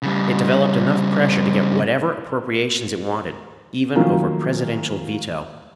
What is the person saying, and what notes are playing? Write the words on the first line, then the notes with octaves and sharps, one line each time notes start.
It developed enough pressure to get whatever appropriations it wanted, even over Presidential veto.
C#3 G3
D#3 F3 F#3 A3 A#3 C#4